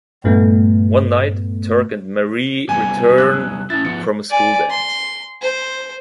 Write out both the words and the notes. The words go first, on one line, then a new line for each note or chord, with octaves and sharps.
One night, Turk and Marie return from a school dance.
G2 A#2 A3 B3
C3 G3 B3 G#5
D#6 E6 F#6
C#4 E4 A6
F3 B3 C#7
D5 G#5
C6
C5